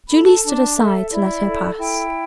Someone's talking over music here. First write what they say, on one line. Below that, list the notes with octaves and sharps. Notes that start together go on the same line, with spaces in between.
Julie stood aside to let her pass.
A4 B5
A5
D4 A5
A4 E5
E4 D5
A4
E4 G5